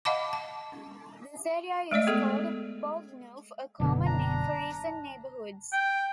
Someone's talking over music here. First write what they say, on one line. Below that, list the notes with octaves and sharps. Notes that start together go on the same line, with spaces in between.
This area is called Bourgneuf, a common name for recent neighbourhoods.
D#5 F5 F#5 A5 B5 D6
A5
G#3 A3 D5 D#5
B3 G#4 A4
F#1 B2 D3
D4 A#5
G5